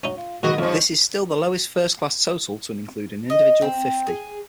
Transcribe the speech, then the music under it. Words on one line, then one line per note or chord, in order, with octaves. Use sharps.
This is still the lowest first class total to include an individual fifty.
F#3 C#4 D#4
F4
G#2 D#3 F#3 A#3 D#4 F#4 D#5
F2 F3 G3 C#4
D#5
C4
G#4